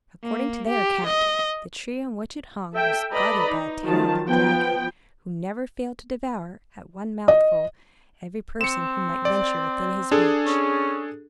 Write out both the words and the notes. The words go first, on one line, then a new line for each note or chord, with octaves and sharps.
According to their account, the tree on which it hung was guarded by a terrible dragon, who never failed to devour, at one mouthful, every person who might venture within his reach.
A#3
G4
D#5
A4 E5 G5
A4 B4 D5 D#5 A#5 B5
D#4
D#3 F3 F#3 C#4 F4 A5
F3 B3 G5
D#5
C4 C#7 E7
D5
D4 G#4 A4
C#4